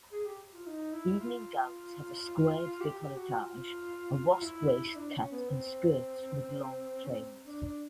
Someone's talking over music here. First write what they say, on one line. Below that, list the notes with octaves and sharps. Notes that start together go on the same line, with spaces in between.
Evening gowns had a squared decolletage, a wasp-waist cut and skirts with long trains.
G#4
G4
F4
D#4
E4
F4
G4
G4
F#4
F4
E4
D4
C#4
B3
C4
C#4
C4
D4
D4